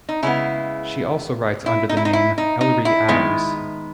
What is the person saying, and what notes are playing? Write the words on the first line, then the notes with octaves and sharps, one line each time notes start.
She also writes under the name Ellery Adams.
D#4
C#3 G#3 B3 E4
E4
D#4
E4
D#4
E4
D#4
D#4
E4
D#3 G#3 B3